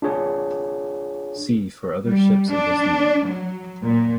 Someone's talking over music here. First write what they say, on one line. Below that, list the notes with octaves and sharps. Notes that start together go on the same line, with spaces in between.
See for other ships of this name.
D4 F4 G#4 C#5
G3
D4
F#3
A#2